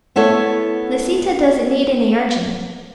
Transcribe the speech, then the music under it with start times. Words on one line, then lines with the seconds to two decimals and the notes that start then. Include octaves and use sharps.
Lisita doesn't need any urging.
0.16 A3 B3 E4 A4 C#5